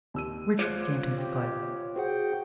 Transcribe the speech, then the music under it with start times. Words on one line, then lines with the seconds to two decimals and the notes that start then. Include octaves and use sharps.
Richard stamped his foot.
0.14 D#2 E6 D#7
0.59 F4 C5 C#5 D6 F#6
1.18 G4
1.96 F#4 G#4 C5 F#5 G5